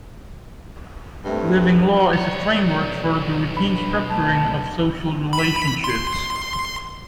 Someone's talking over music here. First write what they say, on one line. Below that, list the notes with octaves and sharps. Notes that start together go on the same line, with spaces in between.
Living law is a framework for the routine structuring of social relationships.
G2 A3 C4
B1 C#5 D5
D4 B5
A3 A5
B5
C6